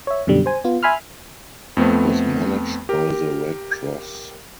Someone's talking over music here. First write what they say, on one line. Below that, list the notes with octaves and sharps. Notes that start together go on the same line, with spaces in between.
It was managed by the Red Cross.
C#5 E5
F#2 B2 D3 G3
C5 G#5
B3 F4
E5 G#5 B5 C6 F6
F2 A3 B3 C4
G4 A#4